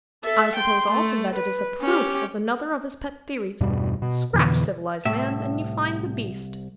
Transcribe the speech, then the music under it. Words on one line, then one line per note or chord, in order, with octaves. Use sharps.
"I suppose also that it is a proof of another of his pet theories. Scratch civilized man, and you find the beast."
A4 E5
G5 C6
A3
B4
C#4 G4
E2 G2 B2 G3
B2
F2 B2 D3 E3
C2 A2 E5